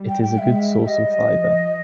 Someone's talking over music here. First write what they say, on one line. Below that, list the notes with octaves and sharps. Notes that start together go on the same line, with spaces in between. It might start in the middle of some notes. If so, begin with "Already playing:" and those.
It is a good source of fiber.
Already playing: G3
G5
G5
G#3 E5
G3 E5
D#5
F3